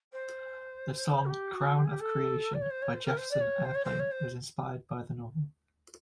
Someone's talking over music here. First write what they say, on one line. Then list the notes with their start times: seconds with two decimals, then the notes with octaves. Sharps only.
The song "Crown of Creation" by Jefferson Airplane was inspired by the novel.
0.12 C5
1.25 F#4
1.29 G4
1.53 F#4
1.77 G4
1.84 G#4
1.91 G4
2.00 A4
2.54 D5
2.61 C#5
2.70 C5
2.82 C#5
2.94 C5
3.05 A#4
3.17 C5
3.31 D5
3.40 C#5
3.64 C5
3.74 C#5
3.84 C5
3.99 C#5
4.11 C5